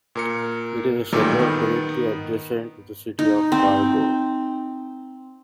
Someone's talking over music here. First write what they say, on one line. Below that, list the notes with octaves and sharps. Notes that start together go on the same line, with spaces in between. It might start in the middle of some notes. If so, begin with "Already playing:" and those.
It is a suburb directly adjacent to the city of Fargo.
A#2 A#4 C#7
A1 A#2 D#3 F#3 G3 A3
D#3 B3
D#4
C4